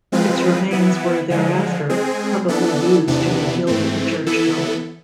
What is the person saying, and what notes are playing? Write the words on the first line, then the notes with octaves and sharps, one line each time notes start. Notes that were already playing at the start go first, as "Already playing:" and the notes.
Its remains were thereafter probably used to rebuild a church tower.
F3 G#3 C4 F4 B4
E3 B3 E4
D3 F3 G#3
G#3 C4 G#4
E3 B3 D4 A4
E2 C3 E3 B3 D4
G#2 E3 A3 C4
E3 B3 E4 A4